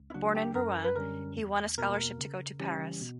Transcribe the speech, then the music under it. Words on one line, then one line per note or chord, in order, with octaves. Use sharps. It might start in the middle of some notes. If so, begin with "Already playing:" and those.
Born in Rouen, he won a scholarship to go to Paris.
Already playing: C#2
E4
C#3 F#3 A#3 D4 F#4
G4
F#2 A#4
B4
D3 G3 C#4 A#4
E2
B2 A#3 A#4
C#3
E3 G3 C#4 G4
B2